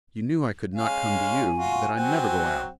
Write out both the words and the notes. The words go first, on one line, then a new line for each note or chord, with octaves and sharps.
You knew I could not come to you--that I never go out.
G#3 C#4 F5 G#5
F4 F#4
F#3 C4 F#5